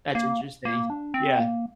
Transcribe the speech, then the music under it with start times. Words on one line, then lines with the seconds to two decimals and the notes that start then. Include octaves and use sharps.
That's interesting. Yeah.
0.15 A#3
0.65 A#3
0.90 D4
1.14 C4
1.40 A#3